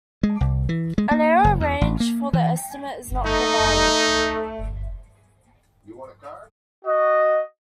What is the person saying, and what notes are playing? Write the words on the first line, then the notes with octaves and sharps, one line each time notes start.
An error range for the estimate is not provided.
G#3
C2
E3
G#3
A#3
F#1
E2
A1
A#3
E3
A3 D#4
F#4 D#5